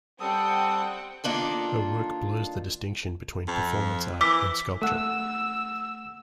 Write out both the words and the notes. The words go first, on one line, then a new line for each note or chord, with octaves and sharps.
Her work blurs the distinction between performance art and sculpture.
G3 C4 A4 F#5 G5 D#6
D#3 A#3 D4 F4 A4
F2
E3 D6 E6 B6
A3 F#5 E6